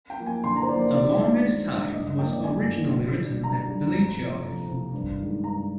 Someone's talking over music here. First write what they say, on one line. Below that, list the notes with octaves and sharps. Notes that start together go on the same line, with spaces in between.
"The Longest Time" was originally written by Billy Joel.
G5
F3 A#3
G#5
D3 C6
A#5
C5
F3 A#3 D5
D5
D#3 D5
G#3 D4 F4
D#3
G#3 D4 F4
G2 D#5
D#5
F3 A#3 G5
D5
G2 G#5
F3 A#3
D3
G3 D4
D3 A#5
G3 D4
F2
C3 F3
F2
C3 F3
G2
D#3 G#3
G2 A#5